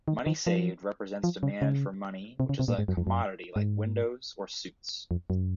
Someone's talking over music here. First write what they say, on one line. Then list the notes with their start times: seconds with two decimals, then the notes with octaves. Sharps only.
Money saved represents demand for money which is a commodity like windows or suits.
0.08 D#3
0.26 D#3
0.47 F3
1.24 F3
1.43 C#3
1.62 C#3
2.40 C3
2.49 C#3
2.59 C3
2.68 A#2
2.78 G#2
2.88 F#2
2.97 F2
3.07 F#2
3.56 G#2
5.11 F2
5.30 F#2